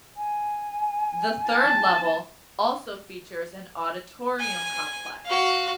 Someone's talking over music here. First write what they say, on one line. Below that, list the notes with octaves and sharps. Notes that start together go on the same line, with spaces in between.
The third level also features an auditorium complex.
G#5
A5
G#5
F#4 F5